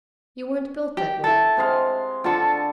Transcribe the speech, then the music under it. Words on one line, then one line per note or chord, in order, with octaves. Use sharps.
You weren't built that way.'
G4
E4 A4
C3 G#3 F5
D3 F4 A4 A5 C#6